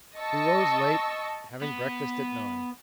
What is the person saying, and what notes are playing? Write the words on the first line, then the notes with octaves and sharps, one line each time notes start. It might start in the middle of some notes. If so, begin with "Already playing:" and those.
We rose late, having breakfast at nine.
D#5 A5 C#6 E6
B3